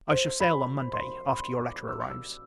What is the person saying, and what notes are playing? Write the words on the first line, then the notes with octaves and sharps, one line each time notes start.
I shall sail, on Monday, after your letter arrives.
C5
B5
C6
B5
B5
D6
E6
E6